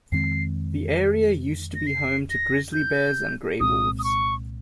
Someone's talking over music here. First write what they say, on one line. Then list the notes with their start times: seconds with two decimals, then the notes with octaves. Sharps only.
The area used to be home to grizzly bears and gray wolves.
0.12 F2 D#3 G#3 C4 C7
1.75 A#6
1.87 C7
2.30 A#6
2.73 G6
3.60 C2 A#2 G#3 C4 D#6
3.99 D#6
4.04 C#6